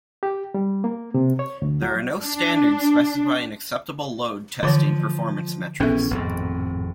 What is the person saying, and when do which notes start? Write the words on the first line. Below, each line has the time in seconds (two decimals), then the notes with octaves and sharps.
There are no standards specifying acceptable load testing performance metrics.
0.23 G4
0.54 G3
0.84 A#3
1.14 C3
1.39 C#5
1.62 D2
1.82 F#3
2.23 D4
4.63 D3 E3 F3 C#5
5.80 A#1 E3 B3 C#4 A4 E5
6.11 G#1 F2 A2